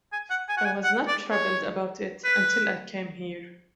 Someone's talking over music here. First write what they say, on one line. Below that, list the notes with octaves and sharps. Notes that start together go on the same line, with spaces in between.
I was not troubled about it until I came here.
G#5
F#5
G#5
F#5
G#5
F#5
D5
C#5
B4